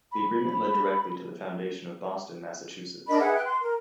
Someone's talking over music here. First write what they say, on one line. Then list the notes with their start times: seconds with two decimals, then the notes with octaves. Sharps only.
The agreement led directly to the foundation of Boston, Massachusetts.
0.11 B5
3.08 D4 A#4 D#5 B5
3.20 G#4 B4 E5 F#5
3.34 G5 F#6
3.46 C6
3.61 A#4